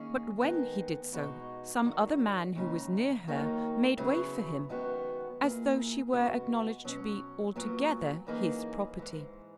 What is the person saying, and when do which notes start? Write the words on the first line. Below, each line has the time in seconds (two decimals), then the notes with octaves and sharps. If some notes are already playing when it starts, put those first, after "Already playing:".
But when he did so, some other man who was near her made way for him, as though she were acknowledged to be altogether his property.
Already playing: D#3 A#3 C#4 G#4
0.42 D#3 G#3 B3
1.13 B2 G#3 D#4 F#4
1.84 E2 D#3 G#3 D#4 F#4
2.55 D#2 C#3 G#3 D#4
3.27 D#2 D#3 F#3 A#3 D#4
3.98 C#3 F#3 B3 E4 G#4
4.69 F#2 D#3 G#3 B3 F#4
5.41 A#2 A#3 E4 G#4
6.13 C#3 G#3 B3 F#4
6.84 B2 F#3 C#4
7.56 A#2 F#3 B3
8.27 F#2 E3 A#3 D#4 G#4
8.98 G#2 E3 G#3